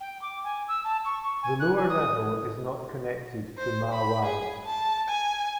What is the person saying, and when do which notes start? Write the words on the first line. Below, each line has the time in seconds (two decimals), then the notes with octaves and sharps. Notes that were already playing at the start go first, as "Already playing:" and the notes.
The lower level is not connected to Ma Wan.
0.01 G5
0.22 D6
0.44 G#5
0.68 E6
0.84 A5
1.05 C#6
1.23 C#6
1.43 G#5
1.60 F#6
1.75 G#5
1.89 D#6
3.58 C5
3.92 B5
4.25 G#4
4.65 A5
5.08 G#5